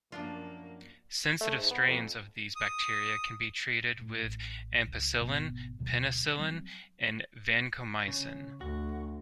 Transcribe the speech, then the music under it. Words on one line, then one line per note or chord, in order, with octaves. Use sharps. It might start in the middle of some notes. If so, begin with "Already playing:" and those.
Sensitive strains of these bacteria can be treated with ampicillin, penicillin and vancomycin.
F#2 F3 A#3 D4 F4
A3
G#2
B3
F2
D#6
A2
A1
C#2
G#1 G#2 B2 B3
D2 B2 D3 F#3
F#3 G3 C4
C#3
D2 F#4